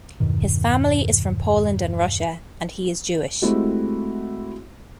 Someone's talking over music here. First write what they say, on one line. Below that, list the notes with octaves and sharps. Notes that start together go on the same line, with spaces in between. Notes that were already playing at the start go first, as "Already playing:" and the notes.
His family is from Poland and Russia, and he is Jewish.
E2 G2 B2 D#3
G#3 A3 C4 E4 F#4 G4